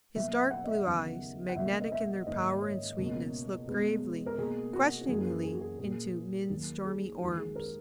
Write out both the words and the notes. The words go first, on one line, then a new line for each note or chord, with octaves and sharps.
His dark-blue eyes, magnetic in their power and sweetness, looked gravely, questioningly, into Min's stormy orbs.
B2 F#3 A#3 E5
E5
F#5
D#5
E5
D#2 C#3 F#3 B3
F#5
C#2 B2 F#3 A#3 E5
D#5
E5
G#2 D#3 A#3 D#5
C#5
C#2 B2 A#3
B2 G#3 B3
A#4
B2 A#3 G#4
F#4
F#4
F#2 E3 A#3 G#4
G#4
F#4
G#4
A#2 A#3 G#4
D#2 D#3 F#3 A#3
G#4
D#2 D#3 G#3 F#4
G#4
A#4